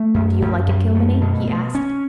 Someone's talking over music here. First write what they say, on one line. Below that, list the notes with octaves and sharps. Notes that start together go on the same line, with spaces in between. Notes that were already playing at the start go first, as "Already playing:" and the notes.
"Do you like it, Kilmeny?" he asked.
Already playing: A3
F#2
F#2
F#2
A3
B2
B2
C#4